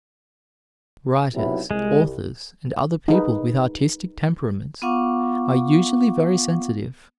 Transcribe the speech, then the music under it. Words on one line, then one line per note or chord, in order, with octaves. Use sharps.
Writers, authors, and other people with artistic temperaments, are usually very sensitive.
B1 C3 E4
C2 G#3
D#4 G#4 B4
B3 F4 F5 F#5 C#6 D6